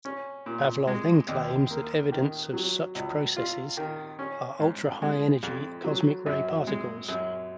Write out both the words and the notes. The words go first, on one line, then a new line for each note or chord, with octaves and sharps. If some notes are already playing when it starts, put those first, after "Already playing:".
Pavlov then claims that evidence of such processes are ultra-high-energy cosmic ray particles.
C#4
A#2
G#3
D#2
A#3
D#3
F#3
C#2
F4
D#3
C#4
G#2
G#3
F2
F#3
F#2
G#3
F#2